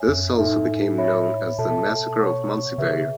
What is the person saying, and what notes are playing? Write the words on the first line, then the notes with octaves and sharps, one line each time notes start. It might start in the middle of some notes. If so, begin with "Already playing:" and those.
This also became known as the Massacre of Monzievaird.
Already playing: C#5 E5 G#5
F#2
A2 D#4 A4 E5 G#5
C#5 E5 B5
B2 A4 E5 A5
C#5 F#5 C#6
C#3 G#4 B4 E5